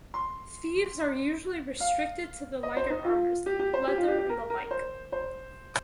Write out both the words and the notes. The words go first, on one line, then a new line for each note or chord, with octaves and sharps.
Thieves are usually restricted to the lighter armors, leather and the like.
C6
F5
D#5
C5
D#4
F4
G4
G4
C5
G4
F4
G4
G4
A#4
A#4
C5
C5